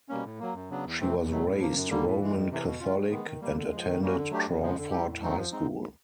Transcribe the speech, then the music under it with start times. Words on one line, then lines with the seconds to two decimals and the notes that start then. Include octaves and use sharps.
She was raised Roman Catholic and attended Crawford High School.
0.09 B2 G3 A#3 C#4
0.24 A2
0.39 F#3 A#3
0.54 F#2
0.70 C#3 F#3 B3 D4
0.85 E2
0.99 C3 E3 A3 C4
1.14 E2
1.30 B2 F#3 A3
1.45 A2
1.59 F3 A#3
1.75 F#2
1.90 D3 G3 A#3
2.05 A2
2.20 E3 G#3
2.35 F2
2.50 C3 E3
2.65 B2
2.80 G#3 C#4 F4
2.96 G2
3.10 D#3 G#3 B3
3.25 D#3
3.40 G3 A#3
3.56 D3
3.71 F3 G#3
3.86 D#3
4.01 G3 A#3 C#4 F#4
4.16 D3
4.31 F#3 A3 D4 G4
4.47 F2
4.62 C#3 F3 G#3
4.77 D3
4.91 G3 C4 E4 G4
5.06 A2
5.22 F#3 A3 C4 D#4
5.37 F3
5.52 G#3 C4 D#4